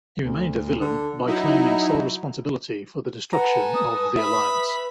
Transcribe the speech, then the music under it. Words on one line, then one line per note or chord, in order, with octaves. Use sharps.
He remained a villain by claiming sole responsibility for the destruction of The Alliance.
D2
D3
F#3 D#4 E4
A4 B4 F#5 G#5 A#5
D#6
B4 E5 B5